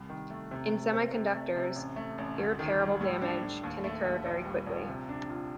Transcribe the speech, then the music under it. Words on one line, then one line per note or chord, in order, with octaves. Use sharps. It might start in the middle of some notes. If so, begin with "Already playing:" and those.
In semiconductors, irreparable damage can occur very quickly.
Already playing: C2 G3
D#3
A3
C3
A3
C4
C3
A3
C3
A1
A3
A1
D2
D#3
G3
A2
D4
A2
D#2
A3
D#2
A#1
G3
A#1
C3
D4
F4